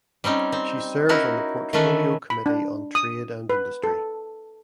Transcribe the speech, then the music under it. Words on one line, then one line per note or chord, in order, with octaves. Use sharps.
She serves on the Portfolio Committee on Trade and Industry.
G3 C4 C#4 D#4
C4
C#4 D#4 E4 F#4 A#4
D#3 E3 A3 C#4 A4 B4
B5
D4
D#6
B4
A4